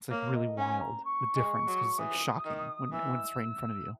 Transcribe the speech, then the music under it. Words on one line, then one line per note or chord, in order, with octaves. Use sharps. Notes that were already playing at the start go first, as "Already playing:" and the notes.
it's, like, really wild, the difference, 'cause it's, like, shocking when when it's right in front of you.
A#3 C#5
D#5
C#4 G#5
A#5
C#6
G#3
F#3
E3 D#6
D#3
E3 E6